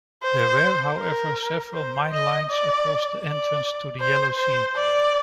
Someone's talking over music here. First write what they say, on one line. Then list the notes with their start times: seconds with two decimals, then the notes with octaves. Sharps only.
There were, however, several mine lines across the entrance to the Yellow Sea.
0.22 C5
0.98 A#4
1.73 C5
2.11 D#5
2.49 D5
3.24 D5
4.00 C5
4.38 C5
4.76 D5